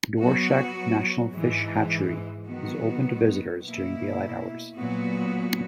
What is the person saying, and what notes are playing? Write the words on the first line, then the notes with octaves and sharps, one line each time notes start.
Dworshak National Fish Hatchery is open to visitors during daylight hours.
F#3 B3 F#4
G#2 E3 G#3
D#3 F#3 B3 F#4
B2 A#3 E4
A#2 F#3 B3 F#4